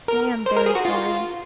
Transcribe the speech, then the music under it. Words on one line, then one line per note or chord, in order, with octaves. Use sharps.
I am very sorry.
A#4
C5
A#4
G#4
F#4
F4